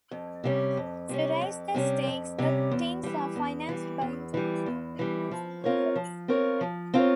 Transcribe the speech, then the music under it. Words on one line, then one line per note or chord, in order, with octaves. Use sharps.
To raise the stakes, the Tings are financed by international criminal syndicates.
F2
C3 G3 C#4
F2
C3 G3 C#4
F2
C3 G3 C#4
F2
C3 G3 C#4
E2
E3 G3
E2
E3 G3
E2
E3 G3
E2
E3 G3
F3
C4 F4 A#4 C#5
F3
C4 F4 A#4 C#5
F3
C4 F4 A#4 C#5